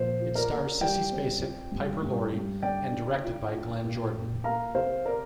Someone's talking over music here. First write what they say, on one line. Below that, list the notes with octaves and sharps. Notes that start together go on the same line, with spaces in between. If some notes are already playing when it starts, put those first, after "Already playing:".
It stars Sissy Spacek, Piper Laurie and directed by Glenn Jordan.
Already playing: A#2 F3 C5
F4
A#4 D5
A#3
G3 D5 G5
C4
F4
G2
G2
G2
D3 D5 G5
D4
F4
F4
A#2
A#2
A#3 F5 A#5
C3 C5 F5
A#4 D5